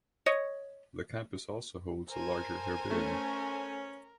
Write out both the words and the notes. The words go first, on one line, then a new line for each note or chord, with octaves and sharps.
The campus also holds a larger herbarium.
C#5 D#5
A4 A#4 C5 G#5
A3 C#4